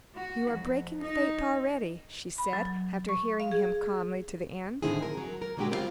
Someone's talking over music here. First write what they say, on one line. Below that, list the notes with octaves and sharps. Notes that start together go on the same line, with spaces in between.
"You are breaking faith already," she said, after hearing him calmly to the end.
F#4
F2
D#4
B5
F#3
C#6
F5
G#4
A2 D3 D#3 C4 E4 G#4
A#4
F#3
A#4
A#2 D3 F#3 G#3 F#4 G4
G3 C4 E4 F4 F5